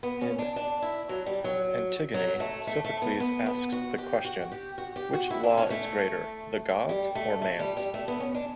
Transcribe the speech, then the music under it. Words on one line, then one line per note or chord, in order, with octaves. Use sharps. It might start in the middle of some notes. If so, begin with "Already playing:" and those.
In "Antigone", Sophocles asks the question, which law is greater: the gods' or man's.
B3
C#4
D4
D4
E4
F#3
G3
F#3
F#3
A3
A3
A3
B3
B3
B3
F#4
G4
F#4
G4
F#4
G4
F#4
E4
D4
C#4
A3
G3
A3
A3
G3
G3
A3
B3
C#4
D4